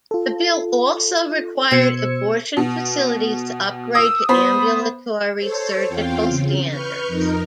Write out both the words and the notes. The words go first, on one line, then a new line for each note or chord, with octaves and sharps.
The bill also required abortion facilities to upgrade to ambulatory surgical standards.
F4 A4
B2 C5 E6 G#6 C#7
B2
D#6 E6
B3 C5 B5 D#6
A4 C5 C#5
E2 C4 F4 F5 G5
C#3
B4 C#6 F6 G6
F2 D#4 A#4